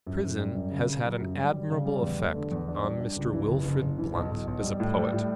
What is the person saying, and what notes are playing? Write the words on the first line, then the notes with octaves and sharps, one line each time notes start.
Prison has had an admirable effect on Mr. Wilfrid Blunt as a poet.
F#2
F#2
G3
F#2
C#3
C#3
F#3
F#2
G3
G3
C#3
G3
E2
A3
D3
E2
D4
G3
D4
C#2
E3
F#1
F#1
F#1
E3
B1
B1
B1
G3
A2
G3
A2